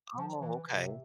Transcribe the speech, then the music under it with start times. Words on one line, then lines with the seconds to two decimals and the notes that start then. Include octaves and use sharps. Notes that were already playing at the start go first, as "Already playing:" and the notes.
Oh, okay.
0.18 F3
0.41 E3
0.65 C3